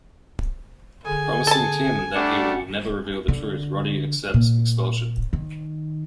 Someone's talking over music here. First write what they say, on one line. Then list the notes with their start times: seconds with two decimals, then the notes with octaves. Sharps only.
Promising Tim that he will never reveal the truth, Roddy accepts expulsion.
1.06 D3 G#4 G#5
1.47 A4 A5
2.15 G3 A3 D4 F#5
3.28 D3
4.34 A#2
5.33 D#3